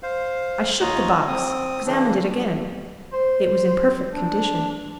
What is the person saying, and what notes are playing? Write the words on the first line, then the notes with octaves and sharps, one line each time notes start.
I shook the box, examined it again, it was in perfect condition.
C5 F5
D#2 F4 C#5 D#5 A#5
C4 D#6
C#3 E3 D4
C5
D4